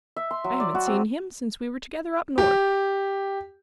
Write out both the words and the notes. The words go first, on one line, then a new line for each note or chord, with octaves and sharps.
I haven't seen him since we were together up North.
E5
C6
F#3
D5
F#4
C4
G4